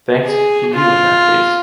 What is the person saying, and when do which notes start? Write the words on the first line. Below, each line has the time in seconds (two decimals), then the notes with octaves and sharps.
Thanks to you in that case.
0.25 G#4
0.73 F4